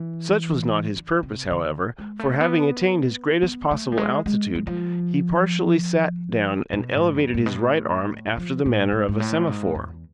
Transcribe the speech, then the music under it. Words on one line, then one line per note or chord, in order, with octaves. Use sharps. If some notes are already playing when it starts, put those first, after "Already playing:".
Such was not his purpose, however, for, having attained his greatest possible altitude, he partially sat down and elevated his right arm after the manner of a semaphore.
Already playing: E3
D3
C3
D3
G#3
A3
B3
B3
A3
F3
G#3
G#3
G#3
F3
B2
G#2
F2
G#2
B2
A2
F3
A2
G#2
G#2
A2
G#2
E2